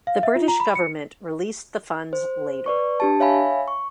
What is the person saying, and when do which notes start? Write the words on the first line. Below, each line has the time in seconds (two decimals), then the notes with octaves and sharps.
The British government released the funds later.
0.07 F5
0.23 E5
0.36 F4
0.48 A#5
0.60 B5
0.75 C#7
2.13 C5
2.66 B4 D5 C#6
3.00 D4 G4 A5
3.20 C#5 E5 F5 G#5 B5
3.68 C#6